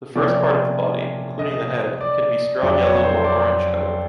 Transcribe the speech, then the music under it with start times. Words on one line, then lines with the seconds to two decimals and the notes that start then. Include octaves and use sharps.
The first part of the body, including the head, can be straw yellow or orange-coloured.
0.15 C3 F3 A#3 C#4 D5
1.39 D#5
2.01 D5
2.62 F2 C#3 F#3 D5
2.83 C#5
3.04 C5
3.24 D5